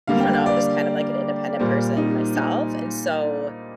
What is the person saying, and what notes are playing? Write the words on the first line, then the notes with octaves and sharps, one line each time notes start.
I don't know, I'm just kind of, like, an independent person myself, and so
D3 G3 A#3 F5
G5
F5
D5
A#2 G3 A#3 C5
D#4
D#4